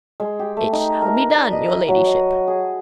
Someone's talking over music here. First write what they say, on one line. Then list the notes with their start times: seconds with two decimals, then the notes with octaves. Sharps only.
"It shall be done, your ladyship."
0.20 G#3
0.39 G4
0.57 A3
0.73 D#4
1.02 A#4
1.16 B4
1.35 D5
1.52 D#5
1.66 E3
1.88 F#3
2.06 D#5
2.48 G#4